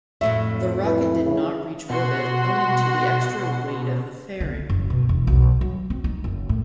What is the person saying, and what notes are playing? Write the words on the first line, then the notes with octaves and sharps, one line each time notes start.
The rocket did not reach orbit, owing to the extra weight of the fairing.
F2 A2 F#3 E5
E4 B4
C#3
B2 F#4 F#5 C6
D3
F#1
B2
E1
B1
F#3
C4
D#4
F#1
A2